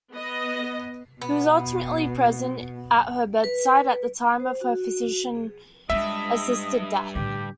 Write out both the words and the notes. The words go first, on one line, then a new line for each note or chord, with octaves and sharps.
He was ultimately present at her bedside at the time of her physician-assisted death.
B3 D#5
B2 B3
B4
C5
F#4
G#4
G2 G#3 F4 D#5 E5
A2 D3 G4